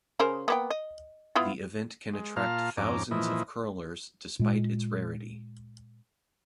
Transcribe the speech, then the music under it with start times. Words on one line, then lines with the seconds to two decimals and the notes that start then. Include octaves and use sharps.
The event can attract thousands of curlers despite its rarity.
0.20 C#3 A#4 C5
0.48 A#3 B3 G5
0.70 D#5
1.35 B3 E4 F4
2.13 G#3
2.36 A#2 F4 F5 A5 A#5 F6
2.77 F2 G#2 C#4 A#5 D6
3.11 A#2 E3 F3 E4 D#5
4.39 A#2 G#3